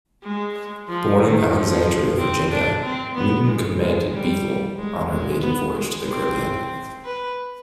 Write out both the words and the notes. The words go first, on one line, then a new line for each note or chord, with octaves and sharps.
Born in Alexandria, Virginia, Newton commanded "Beagle" on her maiden voyage to the Caribbean.
G#3
F3
D#3
F3
C4
D4
C4
B3
G#3
G#3
G3
G#3
G#3
B3
G#3
C4
B4